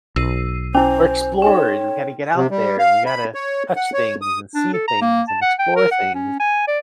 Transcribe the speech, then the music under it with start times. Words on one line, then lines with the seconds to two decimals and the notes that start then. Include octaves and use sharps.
we're explorers, we gotta get out there, we gotta touch things and see things and explore things,
0.16 B1 E6 C7 D#7
0.75 C#4 E4 C5 G#5
1.42 D#4 C#5 G5
2.36 C3
2.50 G3
2.79 F5
3.06 B5
3.34 C#5
3.76 F#5
3.94 C#5
4.22 D#6
4.55 D4
4.73 A4
4.88 A#5
5.01 A#3
5.28 A5
5.41 F#5
5.59 G5
5.76 A#4
5.91 F#5
6.14 C#4
6.40 G#5
6.68 D5